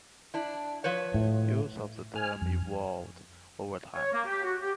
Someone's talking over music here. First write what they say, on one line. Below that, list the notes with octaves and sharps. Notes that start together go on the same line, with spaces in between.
Use of the term evolved over time.
D4 E4
F3 B4 C#5
A2
G#5 F6
F2
C#5
A#3
G4
F#4
G4